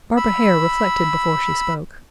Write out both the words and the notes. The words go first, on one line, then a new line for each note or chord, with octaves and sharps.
Barbara Hare reflected before she spoke.
B5 E6